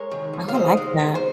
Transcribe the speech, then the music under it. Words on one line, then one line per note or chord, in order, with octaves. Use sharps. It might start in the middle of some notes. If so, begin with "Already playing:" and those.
I like that.
Already playing: G#3 A#4 C#5
D#3
D#2
F5
D#2 C5 D#5
G#3
D#3
C5